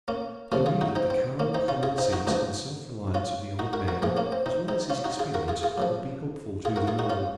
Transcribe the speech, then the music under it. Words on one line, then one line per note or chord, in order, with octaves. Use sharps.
He knew that the calm common sense and self-reliance of the old man, as well as his experience, would be helpful to them all.
A#3 C#4
D#2 C#3 F3 C#4 F4
F4 G#4
D#4 F#4
C4 D#4
C4
A#3 C#4
C4 D#4
C#4 F4
F4 G#4
C4 D#4
D#4 F#4
C#2 C#3 F3 D#4 F#4
C#4 F4
D#4 F#4
F#4 A#4
F#4 A#4
A#1 G#2 F3 F4 G#4
A#3 C#4
C4
C4 D#4
C4 D#4
C#4 F4
D#4 F#4
F4 G#4
F#4 A#4
F4 G#4
F4 G#4
F#2 C#3 F3
F4 G#4
F#4 A#4
F4 G#4
D#4 F#4
C#4 F4